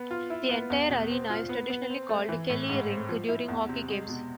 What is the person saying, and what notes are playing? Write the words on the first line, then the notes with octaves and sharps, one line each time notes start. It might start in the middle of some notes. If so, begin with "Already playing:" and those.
The entire arena is traditionally called "Kelley Rink" during hockey games.
Already playing: B3
F4
E4
B3
E2
B2
C4
F4
B3
B3
C4
A3
E3
A2
G#2
C4
F3
E4
E2
C3
G#3
B2